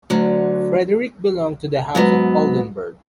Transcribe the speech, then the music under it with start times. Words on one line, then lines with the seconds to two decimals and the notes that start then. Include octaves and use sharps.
Frederick belonged to the House of Oldenburg.
0.10 D2 D3 F#3
1.95 G#2 F#3 B3